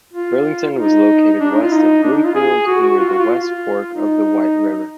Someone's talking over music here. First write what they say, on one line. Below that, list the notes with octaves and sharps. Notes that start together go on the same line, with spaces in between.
Burlington was located west of Bloomfield near the west fork of the White River.
F4
D#4
D4
D#4
F4
D#4
D4
D#4
F4
G#4
F#4
F#4
F4
F#4
F4
F4
D#4